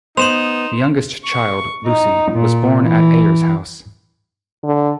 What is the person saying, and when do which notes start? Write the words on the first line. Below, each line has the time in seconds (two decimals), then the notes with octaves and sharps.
The youngest child, Lucy, was born at Ayers House.
0.17 B3 D#4 C5 C6 E7 F7
1.26 C#6
1.85 D#4
2.31 A#2
2.79 E3
4.64 D3